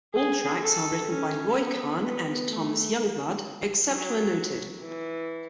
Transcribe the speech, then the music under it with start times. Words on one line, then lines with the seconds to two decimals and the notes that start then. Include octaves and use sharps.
All tracks are written by Roy Khan and Thomas Youngblood, except where noted.
0.15 G#4
0.61 A4
1.08 C#4
1.55 B3
2.02 B3
2.48 A3
3.88 F#3
4.81 E3